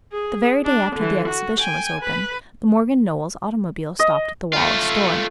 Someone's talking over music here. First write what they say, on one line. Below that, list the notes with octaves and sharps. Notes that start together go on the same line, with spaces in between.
The very day after the exhibition was opened the Morgan Knowles' automobile stopped at the Wallace door.
G#4
D4
D3 E3
F#4
G5 G#5
B4 B5
D#5
A3 F4